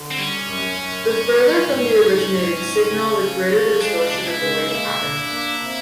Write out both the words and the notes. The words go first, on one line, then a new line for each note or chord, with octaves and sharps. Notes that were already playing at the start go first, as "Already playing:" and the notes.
The further from the originating signal, the greater the distortion of the wave pattern.
Already playing: D3
C4
G3 C#4
F#2
F#2
G3
G3
G#2
G#2
G#2
G#2
C#3
F3
F3
G#3 D4
C#3
E4
G#3
A#3 E4
D4
A#3
C3